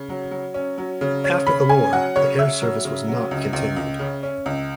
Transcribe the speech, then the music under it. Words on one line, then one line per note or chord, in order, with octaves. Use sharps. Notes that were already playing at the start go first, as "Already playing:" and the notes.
After the war, the air service was not continued.
Already playing: C#3
F#3
F#3
C#4
F#3
C#3
C#4
C#3 B5
C#4 G#5
F#3 F#5
C#3 C#5
C#4 E5
F#3
C#3
F#3
C#2
C#2
C#2
C#3
C#4
C#2